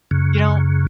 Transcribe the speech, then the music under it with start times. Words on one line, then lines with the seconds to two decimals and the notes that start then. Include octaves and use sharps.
you don't
0.11 F#2 C#3